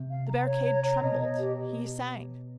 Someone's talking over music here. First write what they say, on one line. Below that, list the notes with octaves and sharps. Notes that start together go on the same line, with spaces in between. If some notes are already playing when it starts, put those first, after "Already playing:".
The barricade trembled; he sang.
Already playing: C3
F5
A#5
C#5
A#5
C#5
B2 D#5
D#5
G4